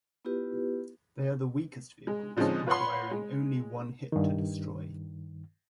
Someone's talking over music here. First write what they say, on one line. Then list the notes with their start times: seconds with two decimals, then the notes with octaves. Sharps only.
They are the weakest vehicles, requiring only one hit to destroy.
0.25 B3 E4 F4 G4 B4
2.07 G#3
2.37 D3 F3 G#3 C4 C#4 D#4
2.67 F4 B4 C#5 F#5 B5 C6
3.11 G#3
4.12 G2 D#3